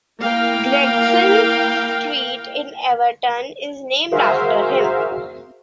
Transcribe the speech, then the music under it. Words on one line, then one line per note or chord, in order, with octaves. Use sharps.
Gregson Street in Everton is named after him.
A#3 E4 A#4 F5 G5
F#4 G#4 A#4 C5 E5 F5